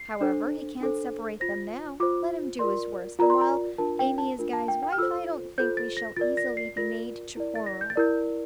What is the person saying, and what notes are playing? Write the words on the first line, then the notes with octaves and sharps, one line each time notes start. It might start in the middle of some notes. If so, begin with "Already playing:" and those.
'However, he can't separate them now; let him do his worst, and while Amy is Guy's wife, I don't think we shall easily be made to quarrel.
Already playing: C7
D4 A4 C5
D4 A4 C5
F4 C5 A#6
F4 C5 D6
F4 A#4 D5 C6
F4 A#4 D5 A#5
C6
A#5
D4 F4 A#4 A5
G5
A5
D4 F4 A#4
A5
G5
G5
F6
F4 A4 C5 E6
F4 A4 C5 G6
A6
A#6
F4 A#4 D5 A6
A#6
C7
F4 A#4 D5 A#6
E4 A#4 D5
A6
A#6
G6
A6
E4 A#4 D5 G6